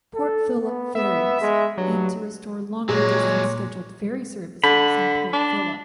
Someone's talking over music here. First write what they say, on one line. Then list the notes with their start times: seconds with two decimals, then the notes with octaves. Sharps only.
Port Phillip Ferries aimed to restore longer distance scheduled ferry services on Port Phillip.
0.15 A4
0.61 B3
0.95 B3 E5
1.41 G#3
1.78 G2 F#3
2.89 A#2 F#3 G#3 G#4 C#5
4.64 D3 B5
5.33 D4